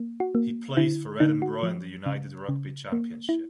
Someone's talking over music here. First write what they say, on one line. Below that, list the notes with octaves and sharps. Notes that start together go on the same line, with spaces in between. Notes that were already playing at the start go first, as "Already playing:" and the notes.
He plays for Edinburgh in the United Rugby Championship.
Already playing: A#3
F#4
A#3
D3 E4
D3 D#4
F#4
F3
C#3
C#3
A#3
E4